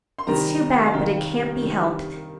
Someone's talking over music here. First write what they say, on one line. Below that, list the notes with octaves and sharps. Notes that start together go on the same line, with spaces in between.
It's too bad, but it can't be helped.
C6
C3 D#3 G3 A#5
F5
C3 D#3 G3 G5
C3 D#3 G3